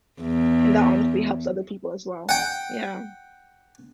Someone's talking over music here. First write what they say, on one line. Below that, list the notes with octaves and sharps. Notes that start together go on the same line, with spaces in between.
And that honestly helps other people, as well. Yeah.
E2
F#5 G5